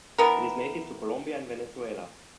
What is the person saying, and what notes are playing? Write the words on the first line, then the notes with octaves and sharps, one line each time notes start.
It is native to Colombia and Venezuela.
E3 B3 A#4